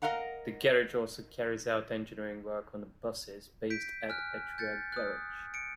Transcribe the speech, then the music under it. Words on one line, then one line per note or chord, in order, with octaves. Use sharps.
The garage also carries out engineering work on buses based at Edgware garage.
A#4 D#5 F5 F#5 A#5
G6 B6 D7
G#5 F6 F#6
G6 A6 C#7
D#6 F#6
C#7 D7